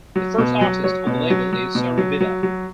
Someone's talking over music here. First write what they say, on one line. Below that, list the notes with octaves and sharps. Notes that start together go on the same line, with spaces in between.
The first artist on the label is Seri Vida.
F#3
B2
F#3
F#3 C#5
B2
F#3
F#3
B2
F#3
F#3
F#3